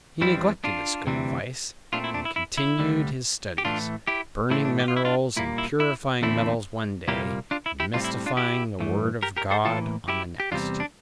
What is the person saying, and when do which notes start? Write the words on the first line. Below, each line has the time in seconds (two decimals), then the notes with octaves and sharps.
He neglected this good advice, and continued his studies; burning minerals and purifying metals one day, and mystifying the Word of God on the next.
0.21 F2 E3 G3 C4 E4
0.64 D4 F4
1.07 D2 C3 E3 G3 C4
1.93 A#2 A3 C4 D4 F4
2.04 E4
2.14 D4
2.25 E4
2.36 E4
2.58 E4
2.79 D2 D3 G3
3.58 G4
3.65 A2 E3 A3 D4 F4
4.07 E4 G4
4.50 A2 E3 A3 C4 E4
4.65 D4
4.80 G4
4.88 F4
4.97 E4
5.05 D4 F4
5.36 A#2 G3 A#3 E4
5.58 E4
5.80 E4
6.22 E2 D3 A3 C4 E4
7.08 C2 A#2 G3 A#3 E4 G4
7.51 D4 F4
7.66 E4
7.80 E4 G4
7.94 A2 G3 C4 D4 F4
8.04 E4
8.26 D4 F4
8.37 E4 G4
8.80 G2 E3 A3
9.23 G4 A#4
9.37 G4 A#4
9.51 A4 C5
9.65 A2 E3 A#3 F4 A4
10.09 E4 G4
10.40 G4
10.51 E2 C3 G3 C4 D4 F4
10.80 D4